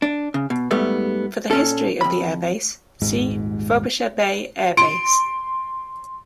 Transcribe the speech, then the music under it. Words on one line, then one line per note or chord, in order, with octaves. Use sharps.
For the history of the air base, see Frobisher Bay Air Base.
D4
C#3
B2
G#2 G3 A3 B3
A#2 C#4 A4
F2 B5
D#1 G#1 G#2
C6 D7